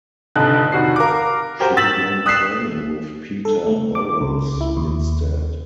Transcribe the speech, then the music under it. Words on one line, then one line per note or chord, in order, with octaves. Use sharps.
She began training with Peter Burrows instead.
F1 F2 D3 D#4 A5 F#6
F1 D#3 F#4 C7
A#4 F5 D6
F#4 G4 A#4 C5
E6 A6 B6 E7 F#7
D#6 F#6 B6 C7 E7
A4
A3
D6
C#2
E4
D#2